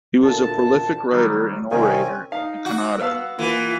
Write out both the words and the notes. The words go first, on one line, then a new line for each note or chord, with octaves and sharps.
He was a prolific writer and orator in Kannada.
D2 A#2 A5
D#3 F#3 G3
C2 D#3 C4 C#4 G#5
D#4 F5
F#4
B3 F5 E6
E3 A#3 F4